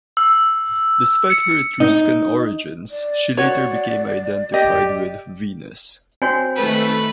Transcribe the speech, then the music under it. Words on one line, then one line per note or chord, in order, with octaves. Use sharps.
Despite her Etruscan origins, she later became identified with Venus.
E6
C#7
D#4
D5
F#4 C#5
G4 D#5
C4 F#4 C#5 G#5
D#3 A3 B4